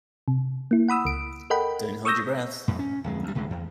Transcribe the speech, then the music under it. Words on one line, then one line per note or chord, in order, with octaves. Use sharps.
Don't hold your breath.
C3
A#3 E4
F#5 B5 D#6 E6
C#2 D7
A4 A#4 D#5 F#5 G5 B5
C#6 D#6 E6 G6 A#6
F2 A2
C#4
D1 F2 G#3
D2 G3
C2 A2 D3 G#3
E2